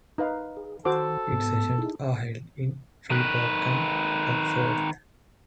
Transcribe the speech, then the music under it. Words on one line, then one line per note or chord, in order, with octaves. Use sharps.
Its sessions are held in Freeport and Rockford.
D#4 B4 F5
G#4
D#3 F#4 A4 C5 D6
G#2 B3
D#4 E4 G#4
D#3 B4